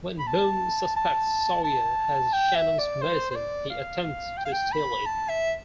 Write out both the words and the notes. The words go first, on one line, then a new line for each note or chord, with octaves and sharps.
When Boone suspects Sawyer has Shannon's medicine, he attempts to steal it.
B5
A5
A5
A5
G5
E5
D5
C5
C5
D5
F5
G5
F5
G5
B5
A5
E5